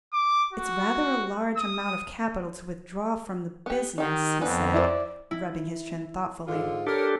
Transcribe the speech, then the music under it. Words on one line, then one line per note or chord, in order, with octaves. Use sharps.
"It's rather a large amount of capital to withdraw from the business," he said, rubbing his chin, thoughtfully.
D6
F#4
D#6
B3 G4
D#3 D#4 G4
F2 E3 B3 D4 B4
E4 F4 C5 D5
E4
G#2 D3 F4
D4 G4 A4 A#4 C#5